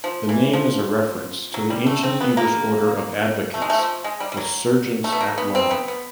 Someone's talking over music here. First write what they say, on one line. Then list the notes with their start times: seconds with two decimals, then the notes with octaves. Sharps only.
The name is a reference to the ancient English order of advocates, the serjeants-at-law.
0.04 F3
0.29 E3
0.53 F3
1.54 F#3
1.70 G3
1.86 A3
2.03 C4
2.21 B3
2.37 A#3
3.54 A3
3.62 G#3
3.70 A3
3.78 F3
4.04 G#3
4.20 G3
4.32 G3
4.37 F#3
5.04 A3
5.12 B3
5.21 A#3
5.38 B3
5.55 C4
5.71 B3
5.88 B3